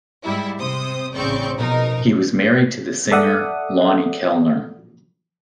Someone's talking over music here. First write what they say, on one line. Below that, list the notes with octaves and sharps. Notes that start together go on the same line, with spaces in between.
He was married to the singer Lonny Kellner.
G#2 G3 E4
C3 C5 D#6
A1 C#3 C4 D5 C#6 G6
B2 F3 D#4 A#4
A4 D5 E5 F#5 D#6